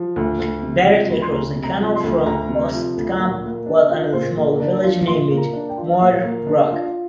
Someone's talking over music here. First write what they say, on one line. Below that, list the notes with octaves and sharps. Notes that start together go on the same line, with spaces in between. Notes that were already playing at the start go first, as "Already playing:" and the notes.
Directly across the canal from Oostkamp was another small village named Moerbrugge.
Already playing: F3
D2
D2
C3
F3
D2
C6
D2 A#5
C3
A#5
F3
C6
D2
D2 A#5
C3
F3
D2
A#2
A#3
D4
F4
A#2 C5
A#3
D4 D5
F4
A#2 C6
A#3
A#5
D4
G5
F4
A#2 F5
A#3
D4
F4